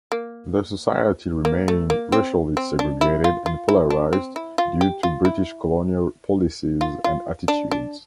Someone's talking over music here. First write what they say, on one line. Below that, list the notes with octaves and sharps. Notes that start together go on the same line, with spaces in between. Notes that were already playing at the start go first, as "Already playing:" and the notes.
The society remained racially segregated and polarised due to British colonial policies and attitudes.
A#3
A#3
A3
A#3
C4
C4
D4
E4
F4
F4
E4
D4
C4
E4
F4
G4
F4
E4
F4
F4
D4
D4